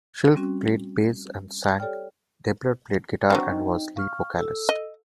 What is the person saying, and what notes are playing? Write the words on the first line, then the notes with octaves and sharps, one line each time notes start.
Schilf played bass and sang; Deibler played guitar and was lead vocalist.
G3 C4 C#4 F#4
G4 A4 C#5 D5 G5 F6
F#3 C4 D4 F#5 C#6
D#4 D#5 G5
F5 C#6 F6
A4 E6
D#5